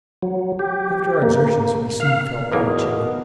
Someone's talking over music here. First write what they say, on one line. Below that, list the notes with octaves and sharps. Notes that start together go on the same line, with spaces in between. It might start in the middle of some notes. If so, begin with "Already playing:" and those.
After our exertions we soon felt very chilly.
F#3
G4
A#3
F5
B1 E2 B2 A#3 E4 G#4 A#4 D#6